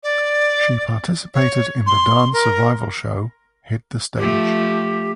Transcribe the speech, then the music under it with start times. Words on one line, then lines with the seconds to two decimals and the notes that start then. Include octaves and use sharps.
She participated in the dance survival show "Hit the Stage".
0.03 D5
1.34 C#5
1.86 C6
2.33 A#4
4.17 F3 A3 G4